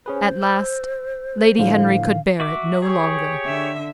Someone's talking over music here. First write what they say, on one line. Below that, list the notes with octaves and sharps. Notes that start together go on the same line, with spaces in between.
At last Lady Henry could bear it no longer.
C#4 G#4 B4 C5
E6
A2 D3 F3 F5
F#4 E5 D6
G4 G#4 C#5
D3 E5